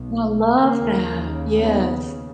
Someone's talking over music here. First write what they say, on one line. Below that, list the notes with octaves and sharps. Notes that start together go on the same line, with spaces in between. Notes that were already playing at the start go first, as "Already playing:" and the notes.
I love that. Yes.
Already playing: B1 B2
D#2 C#3 A#3
B3